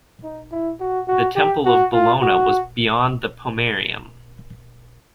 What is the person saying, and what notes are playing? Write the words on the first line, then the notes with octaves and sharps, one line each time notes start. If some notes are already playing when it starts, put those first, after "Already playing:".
The Temple of Bellona was beyond the pomerium.
D#4
E4
F#4
F#4
G4
F#4
F4
F#4